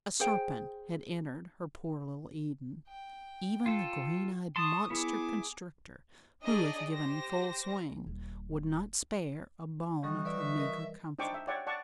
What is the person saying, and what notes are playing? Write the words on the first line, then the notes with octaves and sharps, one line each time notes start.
A serpent had entered her poor little Eden--even the green-eyed monster constrictor, who, if given full swing, would not spare a bone of her meager comfort.
G#4 C5 G5
G5
F4 A4
A5 C6 C#6 D#6
B3 E4 G#4 D6
D4 D#4 G#4 D5 D#5
G4 C5 A#6
D#1
E3 G3 D#4 F#4 A4
B4 D5 E5
A#4 D#5
D4 D#4 C5 G5 C#6 D6
E5
C#5 D5 E5 F#5 G5 C#6
D5 F#5 A5 C#6